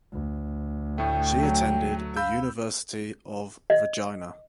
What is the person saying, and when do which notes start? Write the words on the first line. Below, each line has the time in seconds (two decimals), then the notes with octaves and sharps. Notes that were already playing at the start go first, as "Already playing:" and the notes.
She attended the University of Regina.
0.13 D2
0.98 A2 A3 G5
1.39 F#3 A3
2.16 F5 B5 E6 G6
3.70 D#5